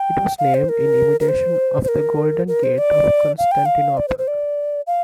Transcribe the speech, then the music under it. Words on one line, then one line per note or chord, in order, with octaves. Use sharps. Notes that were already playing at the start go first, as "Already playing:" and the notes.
It was named in imitation of the Golden Gate of Constantinople.
Already playing: G5
F5
C5
A#4
A#4
C5
C5
A#4
A#4
C5
D5
F5
G5
F5
D5
C5
C5
D5
F5